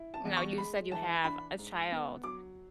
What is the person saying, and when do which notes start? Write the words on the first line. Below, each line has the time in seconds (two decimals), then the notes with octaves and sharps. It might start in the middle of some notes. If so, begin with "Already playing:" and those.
Now, you said you have a child.
Already playing: E4
0.14 A5
0.25 E2
0.37 C#6
0.58 G#3 B5
0.92 E3 A5
1.24 D4 B5
1.58 G#2
1.91 B3
2.24 F#3 D6